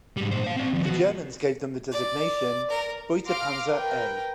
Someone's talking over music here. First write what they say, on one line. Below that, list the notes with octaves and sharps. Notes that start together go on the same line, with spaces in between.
The Germans gave them the designation "Beutepanzer A".
G#2 G3
A#2 C5
C5 F5
C4 D5
D#3 F3
B3 F#4
D5
A#4
F5 C6 D6 F6 A#6 D7
A#4 B4 G5